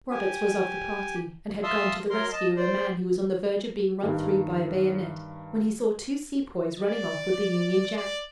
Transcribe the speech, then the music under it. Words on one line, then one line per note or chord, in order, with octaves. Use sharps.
Roberts was of the party and had gone to the rescue of a man who was on the verge of being run through by a bayonet, when he saw two sepoys running off with the Union Jack.
G4 G#5
E5 F5 A5 C6 D#6 E6
F#3 A#4 C6
D#5 A5
C5 D5
G2 D#3 A#3
D5
D5